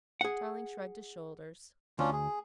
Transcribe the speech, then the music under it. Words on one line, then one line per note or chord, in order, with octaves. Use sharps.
Tarling shrugged his shoulders.
G#4 F#5
D2 C#4 D4 F4
G#4